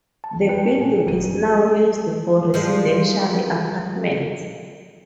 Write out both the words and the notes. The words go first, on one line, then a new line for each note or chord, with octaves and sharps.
The building is now used for residential apartments.
A5
F2
B4 G5 A5
C#4
A#2 G#5
G1 F#2 D#7
F3 G3 G#3